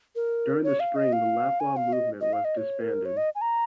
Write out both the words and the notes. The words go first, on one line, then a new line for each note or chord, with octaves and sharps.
During the spring the Lapua Movement was disbanded.
A#4
C#5
F5
D#5
F5
G#5
F5
D#5
D#5
F5
D#5
C#5
A#4
C#5
D#5
G#5
A#5